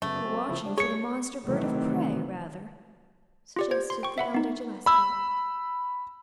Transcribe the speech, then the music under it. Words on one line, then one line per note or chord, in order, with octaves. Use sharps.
"Or watching for the monster bird of prey, rather," suggested the elder Gillespie.
F#2 C#3 A3 B3
F#3 G#3 C4
C#3 F3 E4
G3 D4
G#4 C#5 C#7
C3 D#3 E3 F#3 A3
F4 G4 D5
C5 G#6
C6
G5 C#6
E5 F#5 B5
B3 D#4
B5 E6